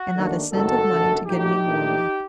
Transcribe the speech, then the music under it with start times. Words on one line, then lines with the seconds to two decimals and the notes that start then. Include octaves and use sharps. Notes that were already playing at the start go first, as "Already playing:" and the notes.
And not a cent of money to get any more with!
Already playing: F#4
0.15 D#2 D#3 A3 D4
0.52 F#1 F#2 D#3 F#4 A4
0.89 F#1 F#2 D3
1.26 A#1 A2 F#3 A3 D#4 G4
1.64 A#1 A#2 A3 D4